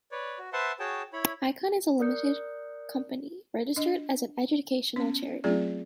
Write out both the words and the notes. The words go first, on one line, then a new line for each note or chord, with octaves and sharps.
Ikon is a limited company, registered as an educational charity.
B4 C#5 D5
F#4
B4 C5 E5 F#5 A5 C6
F#4 G#4 C#5 G5 A5
E4 C#5 B5
A#4 D5 D#6 F#6 G6 C#7
D4 D#5
B3 C#4
F#3 A3 C4 F4 G#4 D5